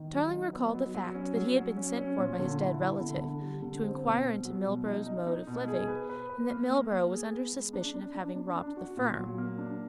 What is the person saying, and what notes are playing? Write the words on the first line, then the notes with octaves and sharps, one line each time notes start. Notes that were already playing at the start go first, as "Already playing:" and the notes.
Tarling recalled the fact that he had been sent for by his dead relative to inquire into Milburgh's mode of living and that Milburgh was under suspicion of having robbed the firm.
Already playing: D#3
F#3
D#4
B3
F#3
F#3
C#4
F#3
F#3
C#4
C#4
A#2
D3
E4
E4
D3
D3
G3
D3
C4
B2
B2
F#3
B2
D#4
D#4
D#4
B2
G#4
B4
B4
B4
A#3
A#3
A#3
G#4
B3
G#3
D4
D4
D4
D4
D4
F#4
A#2
F#3
A#3
D4